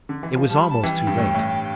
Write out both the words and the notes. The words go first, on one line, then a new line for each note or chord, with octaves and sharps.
It was almost too late.
D3
E3
F3
G3 A5
B5
A5
E3 G5
G2
A2
A2